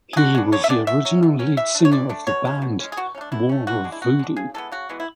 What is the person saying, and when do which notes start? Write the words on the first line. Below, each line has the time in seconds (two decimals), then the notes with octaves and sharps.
He was the original lead singer of the band Wall of Voodoo.
0.13 G#4
0.17 D3 F#4
0.35 G#3 B3 D4
0.52 D3 C#5
0.64 E5
0.69 G#3 B3 D4 D5
0.87 B2 E5
1.05 F#3 C#4
1.23 B2
1.39 F#3 C#4
1.57 E3 E5
1.75 A3 D4
1.85 C#5
1.91 E3 D5
2.09 A3 D4
2.27 B2 C#5
2.45 G#3 C#4
2.62 B2
2.80 G#3 C#4
2.92 G#4
2.97 B2 F#4
3.15 C#4
3.18 A3 D4
3.32 B2 E4
3.49 A3 C#4
3.67 E3 F#4
3.84 G#3 D4
3.92 E4
4.01 E3 F#4
4.19 G#3 D4
4.37 C#3 G#4
4.54 E3 G#3 B3 A4
4.72 C#3 F#4
4.89 E3 G#3 B3
5.00 E4